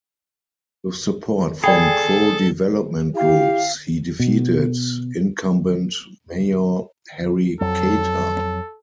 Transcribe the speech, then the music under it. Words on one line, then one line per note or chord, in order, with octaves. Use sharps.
With support from pro-development groups, he defeated incumbent mayor Harry Cater.
G#4 A4 D5 G5 B5
E4 G4 F5
B2
F2 F#3 A4